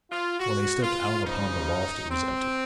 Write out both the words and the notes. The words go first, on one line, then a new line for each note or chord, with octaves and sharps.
When they stepped out upon the loft it was empty.
F4
F#4
F4
C#3 F3 D#4
C4